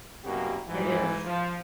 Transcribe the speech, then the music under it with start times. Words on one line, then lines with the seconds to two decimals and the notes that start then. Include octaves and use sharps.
It is.
0.24 C2 F#2 B2 A#3 F#4 G4
0.68 G#2 E3
1.25 F3